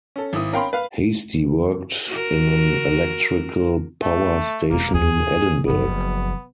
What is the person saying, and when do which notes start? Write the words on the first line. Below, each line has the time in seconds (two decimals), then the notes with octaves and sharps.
Hastie worked in an electrical power station in Edinburgh.
0.16 C#4 A4
0.33 G#1 E4 D#6
0.53 C#4 A#4 F5 G5 B5 C6
0.73 B4 F5
2.07 F#4 A#4
4.02 A3
4.71 E1 A#3 F4
4.94 D#2 G#4
5.68 F#1 F3 B3